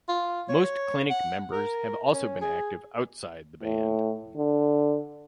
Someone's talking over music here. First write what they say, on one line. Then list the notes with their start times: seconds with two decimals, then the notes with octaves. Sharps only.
Most Klinik members have also been active outside the band.
0.08 F4
0.49 C#5
1.10 F#5
1.52 A#4
2.13 C#4
2.41 G#4
3.63 A2
4.36 D3